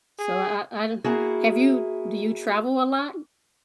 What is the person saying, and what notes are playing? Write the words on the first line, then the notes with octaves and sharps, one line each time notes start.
So, I I don't have you do you travel a lot?
G#4
A#3 E4 F#4 G#4